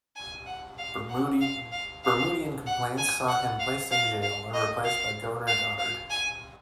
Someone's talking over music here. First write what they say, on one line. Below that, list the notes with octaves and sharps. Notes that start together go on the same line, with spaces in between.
Bermudian complaints saw him placed in jail, and replaced by Governor Goddard.
G#5
F#5
F5
F#5
F5
F5
F5
F#5
G#5
F#5
F5
F5
F5
D#5
F5
F5
F5
G#5